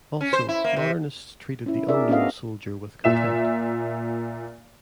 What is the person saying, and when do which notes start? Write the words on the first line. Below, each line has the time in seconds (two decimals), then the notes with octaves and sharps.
Also modernists treated "The Unknown Soldier" with contempt.
0.21 C#4
0.33 C5
0.49 E4
0.64 A#3
0.76 C3
1.66 C#4 E4
1.88 D4 G#4 A#4 D5 E5
2.09 B3 C#4 D4 F#4 D#5 F5
3.04 A#2 E5 E7